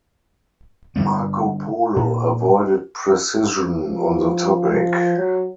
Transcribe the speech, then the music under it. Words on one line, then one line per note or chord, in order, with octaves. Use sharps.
Marco Polo avoided precision on the topic.
D3 D#3 G3 B3
A#2
F3
F#3